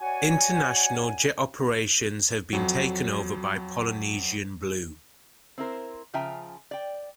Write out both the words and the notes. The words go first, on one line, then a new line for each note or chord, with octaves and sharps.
International jet operations have been taken over by Polynesian Blue.
F#4 C#5 D5 F#5 G#5
F2 F#3
C4 E4 A#4 C5
C#3 F3 E5 G5 G#5 A#5
D5 G5